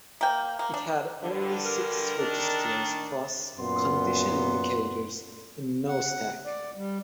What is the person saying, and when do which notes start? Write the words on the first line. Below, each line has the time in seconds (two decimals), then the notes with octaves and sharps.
It had only six registers plus condition indicators, and no stack.
0.21 A#3 G5
0.59 A#3
0.74 D4
1.20 G2 D3
1.64 A#4
2.18 D#3 D4
3.58 F#2 A#2 B3 C6
5.88 F#5
6.45 D5
6.76 G3